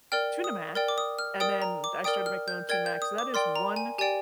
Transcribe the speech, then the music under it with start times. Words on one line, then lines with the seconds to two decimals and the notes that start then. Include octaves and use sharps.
Tuna Mac, and then I started to make my own Tuna Mac, so that is one
0.12 A#4 D5 G5 F6
0.44 D#6
0.75 A#4 D5 G5
0.88 D6
0.98 D#6
1.19 F6
1.40 A#4 D5 G5 D#6
1.62 A#5
1.84 D6
2.04 A#4 D5 G5 D#6
2.26 F6
2.48 G6
2.69 A#4 D5 G5 G#6
2.86 G6
3.02 D#6
3.18 D6
3.34 A#4 D5 G5 C6
3.56 A#5
3.76 G#5
3.98 G4 D5 G5 G#5